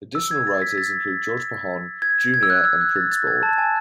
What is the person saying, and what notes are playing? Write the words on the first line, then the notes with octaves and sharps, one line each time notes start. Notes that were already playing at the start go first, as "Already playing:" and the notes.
Additional writers include George Pajon, Junior and Printz Board.
E6
G#6
A6
B6
A6
G#6
G#6
E6
F#6
E6
F#6
A6
A6
G#6
A5
G#5